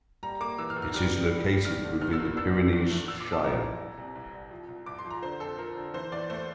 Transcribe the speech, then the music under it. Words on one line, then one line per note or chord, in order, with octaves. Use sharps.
It is located within the Pyrenees Shire.
G3 A#5
A#3 D6
E3 E6
F6
E2
F6
G3 F6
G3
G3
G3
E2 F6
D3
E2 F6
E6
A#3
D4 E6
E3
E2
A3
A#2 E6
D6
A#2
A5
G3 A#5
E4
C2
C3
C2
C2
F3
C2
C2 D6
C6
F3
A#5
D3 C5
F2 A4
F3 A#4
D3
E3 C5
E2 D5
A3 C5